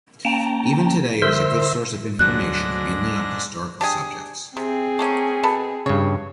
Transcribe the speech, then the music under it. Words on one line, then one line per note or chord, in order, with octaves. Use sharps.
Even today, it is a good source of information, mainly on historical subjects.
A#3 C#4 G5 A5 A#5
D3 A#4 C5 E5 C6 E6
D2 G#2 F#3 D4 F#6 A#6
D4 G4 G#4
C3 C4 G#4
A3 A#3 C#4
B2 A4 B4
G2 C#3 C#5